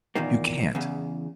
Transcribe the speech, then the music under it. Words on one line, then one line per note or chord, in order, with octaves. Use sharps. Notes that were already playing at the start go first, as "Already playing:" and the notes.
You can't.
E2 A#2 D#3 A#3
E2 C#3